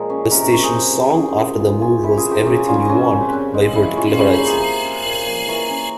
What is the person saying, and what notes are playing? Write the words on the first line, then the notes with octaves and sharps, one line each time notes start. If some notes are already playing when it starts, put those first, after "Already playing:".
The station's song after the move was "Everything You Want" by Vertical Horizon.
Already playing: A#2 F3 G#3 G#4 A#4
C#4
C3 G4 A#4
A#4 C#5
C#4 A#4 C#5
G#4 C5
F3
C#4
F3
C4
E3 F4 G#4
C#4 F4 G#4
E3 E4 G4
F4 G#4
C4
G4 A#4
C#4 F4 G#4
G3 C#4 F4
C#3 C#4
C4
C4
G#3
C#3 E4
G#3 C#4 F4
F4
C#4 E4 G4
G4 A#4
A#3
G#4 C5
F3 G#4 C5
C#4
A#2
A#3
E3 A#4 C#5
C#4